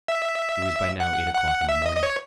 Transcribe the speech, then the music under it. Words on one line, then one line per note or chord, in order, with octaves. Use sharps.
It was by now eight o'clock in the morning.
E5
F#5
F#5
E5
D#5
D#5
C#5